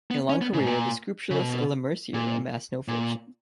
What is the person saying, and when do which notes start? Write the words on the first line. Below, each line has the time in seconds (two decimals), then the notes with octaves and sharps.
In a long career, the scrupulous Lemercier amassed no fortune.
0.11 B3
0.29 C#4
0.41 B3
0.54 C#3
0.60 G#2
0.66 A#2
1.31 C#3
1.40 B2
2.14 A#2
2.88 A#2